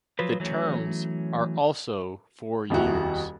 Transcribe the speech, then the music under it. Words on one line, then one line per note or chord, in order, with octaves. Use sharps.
The terms are also four years.
F3 F#3 F4 B4
E3 F#3 A3 C#4
D#1 F2 E4 F#4